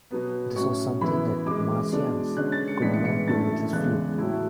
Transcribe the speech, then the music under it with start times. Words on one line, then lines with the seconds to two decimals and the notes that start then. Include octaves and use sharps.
This was something that Marsyas could not do with his flute.
0.11 B2 F#3 B3
0.55 A2 F#3 C#4 C#6
1.01 F#2 E3 B3 E4 B5
1.46 F#2 E3 G#3 D6
1.92 B2 G#3 D4
2.37 D3 G#3 C#4 F#6
2.52 A6
2.68 C#7
2.82 A2 E3 G#3 B3 D4 B6
2.93 C#7
3.05 C#7
3.28 F#2 D3 A3 E4 A6
3.73 E2 C#3 G#3 F#6
4.18 A2 F#3 A3 E4